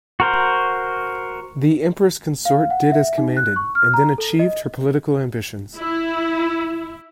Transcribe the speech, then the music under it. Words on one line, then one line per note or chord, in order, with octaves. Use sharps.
The Empress Consort did as commanded, and then achieved her political ambitions.
F#4 A#4 C5
F5
F#5
E5
D#4
F#6
C#6
F6
A#5
A4
D#5
E4